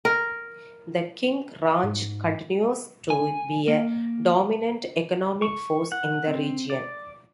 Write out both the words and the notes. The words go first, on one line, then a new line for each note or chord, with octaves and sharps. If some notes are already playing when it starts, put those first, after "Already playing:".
The King Ranch continues to be a dominant economic force in the region.
A#4
G#2
G#5
A#3
C#6
F#5
C4
D5